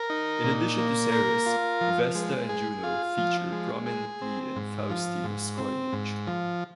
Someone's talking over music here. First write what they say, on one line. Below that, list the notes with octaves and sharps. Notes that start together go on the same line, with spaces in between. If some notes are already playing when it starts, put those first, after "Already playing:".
In addition to Ceres, Vesta and Juno feature prominently in Faustina's coinage.
Already playing: A#4
D#4
A#2
A#3
A#4
F4
F3
G#3
G#4
F4
F3
G#3
G#4
C4
G#2
F3
G#2
C4
G#2
F3